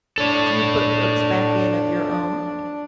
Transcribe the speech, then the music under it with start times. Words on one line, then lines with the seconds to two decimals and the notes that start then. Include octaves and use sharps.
Do you put books back in of your own?
0.18 D4 A4 C#5